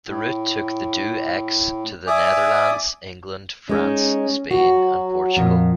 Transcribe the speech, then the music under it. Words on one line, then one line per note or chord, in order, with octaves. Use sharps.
The route took the Do X to the Netherlands, England, France, Spain, and Portugal.
A2
D5 E5 G#5 D6 D#6
G#3 C#4 D#4
F#3 F#4
F2 A#2